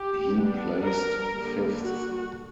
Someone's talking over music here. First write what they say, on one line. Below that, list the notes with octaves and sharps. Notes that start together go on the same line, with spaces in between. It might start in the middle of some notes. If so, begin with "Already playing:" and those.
He placed fifth.
Already playing: G4
G3 B3 D4
A#4
D3 G3 A#3
F#4